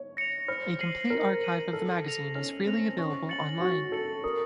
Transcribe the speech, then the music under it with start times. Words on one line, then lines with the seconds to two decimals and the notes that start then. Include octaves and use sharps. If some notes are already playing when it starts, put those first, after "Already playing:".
A complete archive of the magazine is freely available online.
Already playing: C#5
0.17 A#6 C#7 F7
0.48 C5 F6
0.80 C7 D#7 F#7
1.10 A#4 F6
1.42 C7 D#7 F#7
1.73 A4 F6
2.04 A#6 F7
2.35 C#4 F6
2.66 C4 A#6 F7
2.98 C#4 C#6
3.29 A6 C#7 F#7
3.60 F#4 C#6
3.92 A4 A6 C#7 F#7
4.24 A#4 D#6